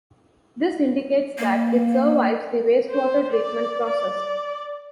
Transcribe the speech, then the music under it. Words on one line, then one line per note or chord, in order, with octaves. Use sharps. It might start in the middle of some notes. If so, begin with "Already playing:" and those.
This indicates that it survives the wastewater treatment process.
A#3
C5
D5
D5